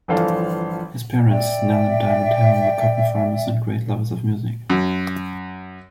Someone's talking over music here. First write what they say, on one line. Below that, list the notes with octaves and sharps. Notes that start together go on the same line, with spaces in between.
His parents, Nell and Diamond Helm, were cotton farmers and great lovers of music.
G1 E3 F3 D4 A4 F5
D5 E5 G5
F#2